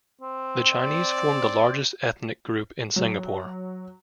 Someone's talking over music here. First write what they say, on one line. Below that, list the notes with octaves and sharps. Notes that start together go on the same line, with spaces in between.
The Chinese form the largest ethnic group in Singapore.
C4
D5
F#3